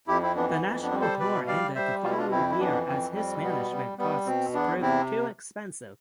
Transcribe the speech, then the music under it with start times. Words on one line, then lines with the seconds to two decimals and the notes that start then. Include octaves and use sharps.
The national tour ended the following year as his management costs proved too expensive.
0.08 F2 E4 G4
0.22 C4 E4
0.36 E3 B3 D4
0.50 B3
0.64 F2
0.83 B3 D4
0.91 G3
1.01 A4 C5
1.19 B2 B4 D5
1.47 G3 D5 F5
1.75 G3 C5 E5
2.03 B2 F4
2.11 E4
2.18 D4 F4
2.31 F2 C4 E4
2.50 E4
2.59 E3 B3 D4
2.87 F2 C4
3.14 G3 C4
3.42 B2 B3
3.71 G3
3.98 G3 B3
4.26 B2 C4
4.53 E2 B3 D4
4.82 C3 C4 E4